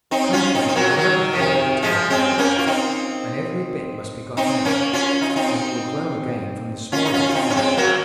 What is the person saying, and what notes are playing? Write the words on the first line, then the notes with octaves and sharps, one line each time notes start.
Comfrey is another thing with a terrible root, and every bit must be got out, as it will grow again from the smallest scrap.
C4 D#4
C#4 F4
C4 D#4
C4
F#3 A#3
G#3
D#3 F#3
F3
C3 D#3
F3 G#3
G#3 C4
A#3 C#4
F4
C4 D#4
C4 D#4
A#3 C#4
C#4 F4
D#4
F4
C4 D#4
C#4 F4
D#4
C#4 F4
F4
C4 D#4
C#4
G#3 C4
F#3 A#3